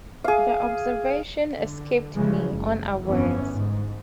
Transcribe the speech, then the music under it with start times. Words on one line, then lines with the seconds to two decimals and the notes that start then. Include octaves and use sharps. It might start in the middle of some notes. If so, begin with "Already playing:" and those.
The observation escaped me unawares.
0.24 G#4 F5
1.50 D3
2.13 C#3 E3 F3 G#3
2.47 F#1
3.03 G1 F2 E3 B3 C#4
3.48 G#2